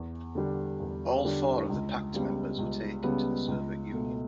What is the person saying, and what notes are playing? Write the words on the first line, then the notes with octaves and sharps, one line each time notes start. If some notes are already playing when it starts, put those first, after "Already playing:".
All four of the pact members were taken to the Soviet Union.
Already playing: E2
D3 G3 D4
E2
D3 G3 D4
C#2
C#3 G3 B3
C#2
C#3 G3 B3
C#2
B2 A3